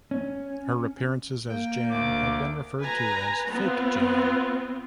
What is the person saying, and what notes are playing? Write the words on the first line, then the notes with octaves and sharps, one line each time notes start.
Her appearances as Jan have been referred to as 'Fake Jan'.
C#4
A#3 G5
D2 D6
B4 G#5 A#5
B3 C4 F4